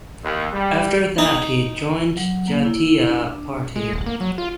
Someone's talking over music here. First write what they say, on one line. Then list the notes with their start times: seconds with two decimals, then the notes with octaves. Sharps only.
After that he joined Jatiya Party.
0.23 D#2
0.53 G3
1.18 D#4
2.17 F#3
2.48 A#3
2.64 E4
3.10 D4
3.76 G#3
3.93 D1
4.06 A#3
4.21 F#3
4.38 F4